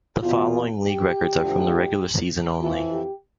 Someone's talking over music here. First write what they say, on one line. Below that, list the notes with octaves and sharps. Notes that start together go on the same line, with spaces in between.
The following league records are from the regular season only.
E2 B2 F4
G4
D2 D3 F3
F2 E3 F4
G4